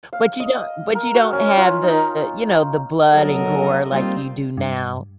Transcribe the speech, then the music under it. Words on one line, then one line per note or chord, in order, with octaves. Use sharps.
But you don't but you don't have the, you know, the blood and gore like you do now.
F5
D#5
A#4
F#4
C#4
F4
D#4
G1 F#3 A4 A#4 D#5
G3 A#3 C4 D#4 F4
G2